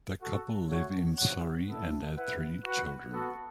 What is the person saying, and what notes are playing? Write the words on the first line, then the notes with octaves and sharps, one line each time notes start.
The couple live in Surrey and have three children.
F#4 A4 F#5
A3 F#4 C#5 F#5
F#4 C#5 F#5
B3 E4 A4
E4 B4 F#5
F#4 B4 F#5
B3 F#4 A4